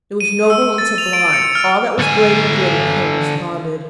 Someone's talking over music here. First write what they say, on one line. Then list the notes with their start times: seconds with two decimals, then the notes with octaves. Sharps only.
It was noble and sublime; all that was great and good in him responded.
0.20 D#7
0.50 E6
0.78 A6
0.98 F7
1.13 D7
1.33 C#7
1.55 F6
1.99 D3 G#5